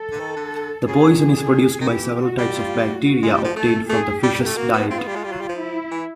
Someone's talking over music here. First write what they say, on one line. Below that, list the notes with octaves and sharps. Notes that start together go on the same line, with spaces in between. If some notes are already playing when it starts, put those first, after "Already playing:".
The poison is produced by several types of bacteria obtained from the fish's diet.
Already playing: A4
D3
D#3
D3
C#3 G#4
C3
C#3
D3 G#4
D#3
E3 G4
F#4
G3
F4
F#4
G#3
G3
F3
A3 A4
A3 G#4
G3 G4
G3
A#3
A3
A#3 F#4
B3
C4 F4
B3
G3
G#3
G3
F#3
G3
F3
E4
E3